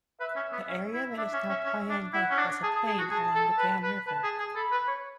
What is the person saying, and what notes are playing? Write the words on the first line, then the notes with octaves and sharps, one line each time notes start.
The area that is now Poyang Lake was a plain along the Gan River.
B4 E5
C#4
B3
C#4
E4
D4 E5
C#4
C#4
C#4
D4
E4 F#5
C#4
D4
G#4 A5
G#4
G#4
F#4
G#4 A5
A4
B4
B4
B4 A5
G#4
G#4
A4 B5
B4
C#5